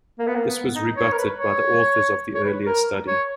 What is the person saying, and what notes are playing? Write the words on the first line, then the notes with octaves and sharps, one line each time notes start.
This was rebutted by the authors of the earlier study.
A#3
B3
A#3
B3
D#4
C#5
A#4
B4
C#5
C#5
B4
A#4
C#5